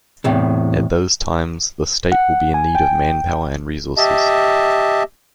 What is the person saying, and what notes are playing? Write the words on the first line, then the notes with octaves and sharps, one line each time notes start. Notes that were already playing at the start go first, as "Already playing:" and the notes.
At those times, the State will be in need of man-power and resources.
E2 A2 C3
F#5
G#5
G5
G4 D#5 E5 A5